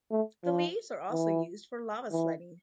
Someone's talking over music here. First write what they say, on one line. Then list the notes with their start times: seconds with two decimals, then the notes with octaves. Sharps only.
The leaves are also used for lava sledding.
0.11 A3
0.44 F3
1.11 E3
2.11 E3